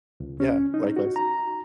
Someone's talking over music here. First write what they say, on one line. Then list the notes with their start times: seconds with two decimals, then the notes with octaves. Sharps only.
Yeah, likewise.
0.20 C#2
0.40 C#4
0.74 D#4
0.96 F#4
1.16 A#5